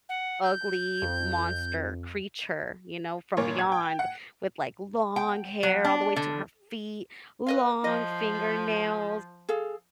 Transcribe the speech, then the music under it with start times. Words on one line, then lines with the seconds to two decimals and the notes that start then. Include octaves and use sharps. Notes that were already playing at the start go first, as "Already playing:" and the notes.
ugly monster creature, you know, from beyond, with, like, long hair all the way to her feet, long fingernails
0.09 F#5
0.43 G6
1.02 F2
3.37 G1 A#2 A#3 C#5
3.59 G#6
3.72 G5
3.99 F#5 C#7
5.16 G5
5.63 F#3
5.85 D4
6.16 D3
7.47 B4 D#5 F5
7.84 F3 D#5
9.49 G#4 A4 F5